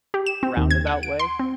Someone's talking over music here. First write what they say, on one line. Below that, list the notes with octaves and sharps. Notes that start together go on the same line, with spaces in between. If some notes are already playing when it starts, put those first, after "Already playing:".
roundabout way.
G4
E7
C4
D#2
G#6
F#5
D7
C6
C4